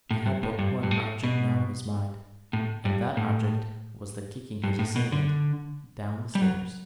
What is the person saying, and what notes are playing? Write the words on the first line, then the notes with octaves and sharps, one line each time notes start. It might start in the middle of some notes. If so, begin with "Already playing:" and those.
He had but one object now in his mind, and that object was the kicking his assailant down the stairs.
A2
G2
A2
G2
G2
A2
B2
A2
G2
A2
G2
A2
B2
D3
G3
F#3